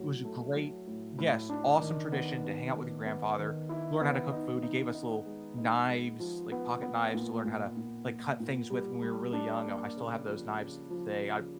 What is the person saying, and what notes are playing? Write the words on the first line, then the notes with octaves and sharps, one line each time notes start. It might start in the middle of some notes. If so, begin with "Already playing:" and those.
It was a great Yes, awesome tradition to hang out with your grandfather, learn how to cook food. He gave us little knives, like pocketknives to learn how to, like, cut things with when we were really young. Oh, I still have those knives t today. I
Already playing: A2 F#3
A3
F#3
A2
A2
D4
D#3
B3
B3
D#3
B3
D#3
E4
B3
D#4
D#4
D#4
G#3
D#4
G#3
F3
B3
B3
A#2
A#2
A#2
A#2
A#2
G3
G3
D4
A#3
C#3
F3
C#3
F3
C#3